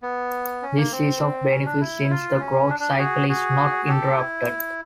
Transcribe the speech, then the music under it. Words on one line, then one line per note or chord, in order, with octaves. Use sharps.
This is of benefit since the growth cycle is not interrupted.
B3
C#4
A#3
C4
C#4
D4
E4
F4
C#4
D4
D4
G4
F#4 G#4
F#4 G#4
G4 A4
E4